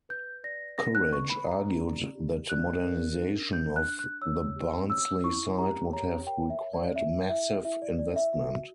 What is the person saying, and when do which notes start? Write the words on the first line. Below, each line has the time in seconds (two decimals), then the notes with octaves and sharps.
Courage argued that modernization of the Barnsley site would have required "massive" investment.
0.09 B4 G6
0.44 D5 A#6
0.78 B4 A#6
0.95 F#6
1.12 B4 C#6
1.30 B5
1.47 G4 A#5
1.81 D5
2.15 G4
2.49 D5 F#6
2.84 A#4
3.19 D4
3.52 D4 G6
3.76 F#6
3.86 D4
3.99 F#6
4.21 C#5 E6
4.56 G4
4.90 C#5 E6
5.24 E4 C#6
5.58 G4 A#5
5.92 C#5 A#5
6.27 A#4 G5
6.50 E5
6.61 C#5
6.73 D5
6.95 E4 E5
7.29 E4 E5
7.65 E4 E5
7.82 D5
7.98 E4 D5
8.16 E5
8.33 F#4 E5